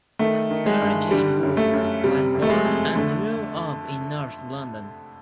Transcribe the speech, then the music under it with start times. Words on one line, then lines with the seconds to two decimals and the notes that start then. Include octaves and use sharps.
Sarah Jane Booth was born and grew up in North London.
0.19 D#3 A3
0.51 D#3
0.66 G#3
0.81 G2
1.11 D3 G3
1.43 F#2
1.57 A3
1.73 F#2
2.04 C3 G3
2.34 F2
2.42 A3
2.50 G#3
2.65 F2
2.95 D3 A3